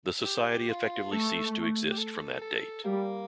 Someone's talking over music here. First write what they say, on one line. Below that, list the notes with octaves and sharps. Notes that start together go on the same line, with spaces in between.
The society effectively ceased to exist from that date.
G4
F4
A3 A4
G4
A4
A4
G3 A#3